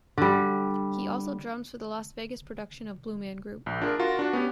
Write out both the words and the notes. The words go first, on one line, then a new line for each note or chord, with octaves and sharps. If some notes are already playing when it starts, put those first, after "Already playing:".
He also drums for the Las Vegas production of Blue Man Group.
D3 G3
A#1
D4 F4 G#4 A#4
F4 F#4 A#4
D4 F#4
B3 C#4 G4